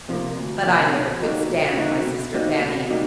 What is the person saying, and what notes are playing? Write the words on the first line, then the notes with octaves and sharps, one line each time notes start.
But I never could stand my sister Fanny.
C3 F3 A#3
D2
C3 F3 A#3
B2
G3 A#3 D#4 F#4
B2
G3 A#3 D#4 F#4
B2
G3 A#3 D#4 F#4
B2
G3 A#3 D#4 F#4